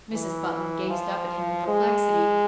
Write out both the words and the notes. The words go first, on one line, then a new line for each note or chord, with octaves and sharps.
Mrs. Butler gazed up at him in perplexity.
E3
F3
G#3